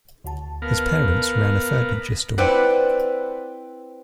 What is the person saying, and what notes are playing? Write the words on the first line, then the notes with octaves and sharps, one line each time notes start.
His parents ran a furniture store.
D2 F#4 A5
B3 A#4 F5
C4 E4 B4 D5 F#5